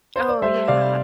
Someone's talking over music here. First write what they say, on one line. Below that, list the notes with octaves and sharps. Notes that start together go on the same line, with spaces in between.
Oh, yeah.
C5
D5
G3 C5 E5
C3 D5 F5